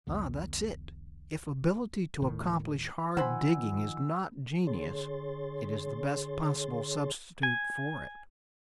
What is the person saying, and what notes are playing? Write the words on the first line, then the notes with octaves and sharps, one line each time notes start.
Ah, that's it; if ability to accomplish hard 'digging' is not genius, it is the best possible substitute for it.
B1 E2 D3
D#1 A2 D#3
D#3 F3 C5 F#5 G#5 B5 E6
D3 G#4 C#5 C6 A6
G#5